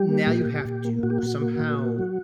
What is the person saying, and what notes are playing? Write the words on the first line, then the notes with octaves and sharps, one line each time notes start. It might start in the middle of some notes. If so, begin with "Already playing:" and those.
now you have to somehow
Already playing: G3 G4
A#3
A#2
A#2
A#2
A#3
A#2 F#4
G4
A#2 F#4
A#3
A#2
A#3
F#3